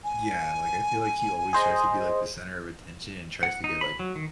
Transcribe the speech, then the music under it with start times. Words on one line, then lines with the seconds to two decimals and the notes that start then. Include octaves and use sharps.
Yeah, like, I feel like he always tries to be, like, the center of attention and tries to get, like,
0.04 G#5
1.53 G#4 C5 D#5
3.43 F#5
3.64 D#4
3.81 B5
3.99 F#3
4.16 D#3